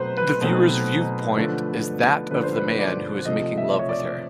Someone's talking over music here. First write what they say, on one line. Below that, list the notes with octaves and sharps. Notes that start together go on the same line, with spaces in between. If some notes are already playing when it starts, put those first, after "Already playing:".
The viewer's viewpoint is that of the man who is making love with her.
Already playing: B2 F#3 A3 C4 D#4 B4 C5
B4
B2 F#3 A3 C4 D#4
D3 F3 A3 D4
D3 F3 A3 D4 B4
C5
B4
D5
C3 F3 A3 D#5
E5
C#5
D5